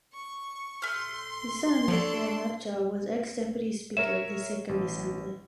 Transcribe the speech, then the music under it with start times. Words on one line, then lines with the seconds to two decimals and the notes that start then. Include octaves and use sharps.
His son Ram Lepcha was ex deputy speaker of the Sikkim assembly.
0.13 C#6
0.82 A3 C6 F6
1.88 F3 D4 A4 C#5
3.97 A#4 C#5 E5 E7
4.69 A1